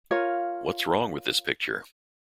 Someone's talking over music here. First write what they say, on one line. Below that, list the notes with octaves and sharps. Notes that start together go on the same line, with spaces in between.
What's Wrong with This Picture?
F4 A#4 C#5 F5